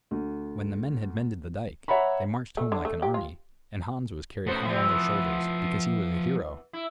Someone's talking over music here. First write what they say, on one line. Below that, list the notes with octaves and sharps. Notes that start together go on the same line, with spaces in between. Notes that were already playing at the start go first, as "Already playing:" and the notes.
When the men had mended the dike, they marched home like an army, and Hans was carried high on their shoulders, because he was a hero.
D2
C#5 E5 F#5 A#5 B5
A3
D3
A3
G4
F4
A3 B3 C#4 F#4 C5
F3 G3 C4 E5
E3 B3
E4